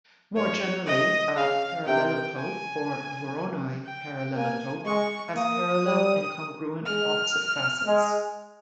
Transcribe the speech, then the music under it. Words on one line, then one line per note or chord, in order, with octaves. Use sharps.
More generally a parallelotope, or "voronoi parallelotope", has parallel and congruent opposite facets.
G#2 C#5
C3 D#5
C#3 F5
C3 G5
G#5
G5
A#3 G#5
G#3 C#6
A#3 D#6
G3
G#3 F6
G#3